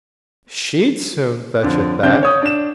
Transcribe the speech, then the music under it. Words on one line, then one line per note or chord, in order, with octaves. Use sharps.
'She'd soon fetch it back!'
F2 D3 F3
C#3 C4 D4 G6
C#5 D#6
D4 E7